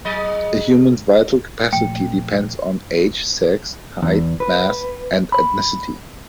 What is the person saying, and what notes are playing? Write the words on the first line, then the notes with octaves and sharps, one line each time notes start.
A human's vital capacity depends on age, sex, height, mass, and ethnicity.
F#3 G#4 D#5
A#2 F3 A3 G5
E2
B4
B5